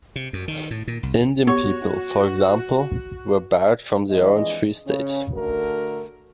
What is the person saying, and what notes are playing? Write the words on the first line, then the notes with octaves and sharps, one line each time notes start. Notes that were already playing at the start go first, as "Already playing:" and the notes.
Indian people, for example, were barred from the Orange Free State.
C3
F#2
D#3
A2
A#2
C2
B3 F#4 G4 C#5
F2 E3 G#3 D4 D#5
C#3 C#4
D3 A3 F#4 A#4